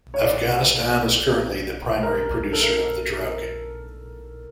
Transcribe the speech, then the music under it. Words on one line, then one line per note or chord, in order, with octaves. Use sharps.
Afghanistan is currently the primary producer of the drug.
C#5
D5
A#4
A4
A#4